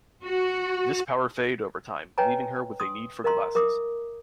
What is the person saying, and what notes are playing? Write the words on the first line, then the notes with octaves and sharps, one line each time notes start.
This power faded over time, leaving her with a need for glasses.
F#4
B4 C#5 D#5 G5 G#5 A#5
C6 D#6
A#4 D#5 F5 A#5 C6
A#4 E5 D6 D#6